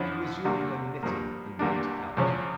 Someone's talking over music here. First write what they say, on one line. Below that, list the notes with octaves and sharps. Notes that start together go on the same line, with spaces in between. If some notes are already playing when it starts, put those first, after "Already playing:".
She resumed her knitting and went out.
Already playing: F2 D3 F3 C#4 E4
E2 D3 G3 A#3
G2 F3 A#3
E2 D3 G3 A#3 D4
E2 C#3 F3 C#4